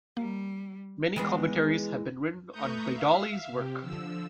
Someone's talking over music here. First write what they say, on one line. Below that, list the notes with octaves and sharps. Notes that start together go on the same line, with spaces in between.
Many commentaries have been written on Baidawi's work.
G3 A#3
E3 G#3 B3
A3 B4 A#5 C#6 D#6 G6
E5 F5
C3 G4
D3 F3 E6